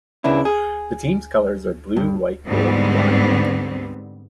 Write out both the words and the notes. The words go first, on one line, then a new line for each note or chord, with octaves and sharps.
The team's colors are blue, white, gold and black.
C#3 B3 D4 E4
G#4
G2
G#2 D3 G3 B3 C4